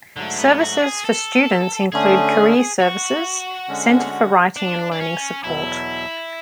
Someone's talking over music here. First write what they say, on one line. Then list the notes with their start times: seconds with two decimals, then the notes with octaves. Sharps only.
Services for students include Career Services, Center for Writing and Learning Support.
0.17 G#2 D3 F#3 A3
0.39 B3
0.61 F#4
0.83 G#4
1.05 A4
1.92 D3 A3 C#4 G#4
2.80 F#4
3.68 D3 G#3 C#4
4.56 D4
4.92 D4
5.00 C#4
5.44 E2 B2 F#3 E4